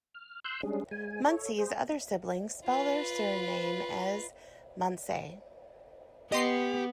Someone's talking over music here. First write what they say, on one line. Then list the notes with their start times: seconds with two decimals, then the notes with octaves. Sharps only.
Muncie's other siblings spell their surname as "Munsey".
0.14 F6
0.44 C6 E6 F#6 G6
0.63 G3 G#3 C#4 D4 G#4
0.91 G#3 G#5
1.24 A4 C#5
1.58 G#4 C5
2.65 F4 B4
6.32 B3 G4 D#5 C6 C7